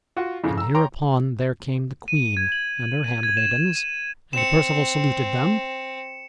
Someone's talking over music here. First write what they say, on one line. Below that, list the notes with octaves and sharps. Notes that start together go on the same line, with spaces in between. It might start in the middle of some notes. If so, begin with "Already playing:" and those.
And hereupon there came the queen and her handmaidens, and Perceval saluted them.
F4 F#4 F#5
F2 C#3 E3
A#5 E6
C#5 G5 A#5 C6 D6
D#7
G#6
F#7
D#7
G#6
E7
D#7
C4 C#7 E7